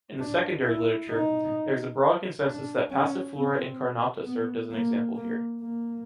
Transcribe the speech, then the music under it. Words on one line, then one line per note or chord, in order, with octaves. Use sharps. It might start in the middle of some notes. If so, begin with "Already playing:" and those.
In the secondary literature, there is a broad consensus that "Passiflora incarnata" served as an example here.
D4
E4
D#4
D4
C#4
C4
B3
A#3
A#3
A#3